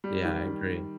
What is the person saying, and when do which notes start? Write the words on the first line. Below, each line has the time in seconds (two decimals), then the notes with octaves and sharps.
Yeah, I agree.
0.04 G3
0.25 D#3